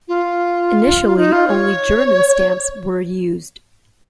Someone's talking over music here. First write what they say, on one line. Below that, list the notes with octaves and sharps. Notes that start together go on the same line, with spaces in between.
Initially only German stamps were used.
F4
D#4
F4
C#5